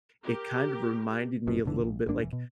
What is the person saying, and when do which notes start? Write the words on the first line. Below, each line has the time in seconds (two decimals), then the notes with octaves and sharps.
it kind of reminded me a little bit, like
0.24 G4 A#4
1.47 G1 F#2 B2
1.66 F1 B2 D3 E3
1.84 A#1
2.07 G#1 G2 A#3 D4
2.20 E1 E3
2.33 B2